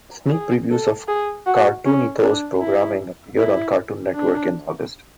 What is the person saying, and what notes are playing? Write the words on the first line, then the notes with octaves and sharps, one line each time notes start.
Sneak previews of Cartoonito’s programming appeared on Cartoon Network in August.
G#4
A4
G#4
F#4
C#4
D4
E4
E4
D4